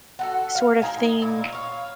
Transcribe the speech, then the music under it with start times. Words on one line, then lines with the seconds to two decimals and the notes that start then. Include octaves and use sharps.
sort of thing
0.19 F#4 A4 F#5
0.55 F5
0.82 G#3 D#4 A#4 G#5
1.04 D#4
1.21 A#2 A#3 E4
1.52 C#5 F5